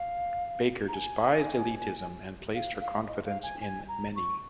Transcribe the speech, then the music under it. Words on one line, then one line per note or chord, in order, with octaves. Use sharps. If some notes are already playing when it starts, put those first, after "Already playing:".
Baker despised elitism and placed her confidence in many.
Already playing: F5
A#5
G#5
F5
F5
D#5
F5
G#5
G#5
A#5
C#6